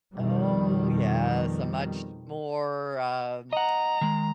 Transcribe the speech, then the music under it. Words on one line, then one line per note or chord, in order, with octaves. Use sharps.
Oh, yes. A much more, um,
F2 B2 D#3 G3
D#5 F#5 A#5
D#3 G#3